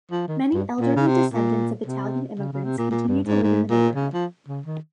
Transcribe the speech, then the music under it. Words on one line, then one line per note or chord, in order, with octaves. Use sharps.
Many elderly descendants of Italian immigrants continue to live in the neighborhood.
F3
D#3
G2
A#2
C#3
C3
A#2
C3
C#3
C#3
C3
A#2
A#2
G2
G#2
G#2
A#2
C#3
F3
C#3
D#3